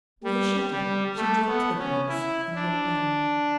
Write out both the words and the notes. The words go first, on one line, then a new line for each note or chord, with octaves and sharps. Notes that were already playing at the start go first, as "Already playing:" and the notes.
With a shudder she dropped the bronze, and looked down.
G3
G3
A3
B3
C#4
E4
D4